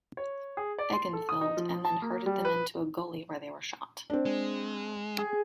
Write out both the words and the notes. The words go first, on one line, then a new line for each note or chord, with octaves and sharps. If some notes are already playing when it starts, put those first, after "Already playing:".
Eggenfeld and then herded them into a gully, where they were shot.
C#5
G#4
D5
C6
A4
D#6
D#4
F3
A5
A#3
G3
B4
C4 D4
G#3
G#4